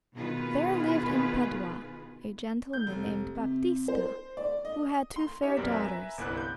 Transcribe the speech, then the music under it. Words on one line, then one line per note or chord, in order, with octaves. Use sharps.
There lived in Padua a gentleman named Baptista, who had two fair daughters.
B2 D#3 F4 G#4 B4
G6
F1
C3
C5
D5
D#5
C6
D#4 G4 C#5 E5
B1 F#2 C4 A#4 D5 B6
B4 E5 G#5 A#5
G1 C2 A#3 E4 F#6
G6